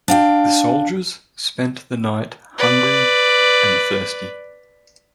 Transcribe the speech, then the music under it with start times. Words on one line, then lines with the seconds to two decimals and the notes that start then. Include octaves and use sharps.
The soldiers spent the night hungry and thirsty.
0.08 D4 F5 G5
2.58 B4 D5